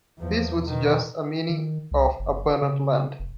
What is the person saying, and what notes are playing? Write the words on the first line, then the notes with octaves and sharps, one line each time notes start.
This would suggest a meaning of "abundant land".
E2 F3
B2 D#3
D#3
C2
F#1
C#3
F1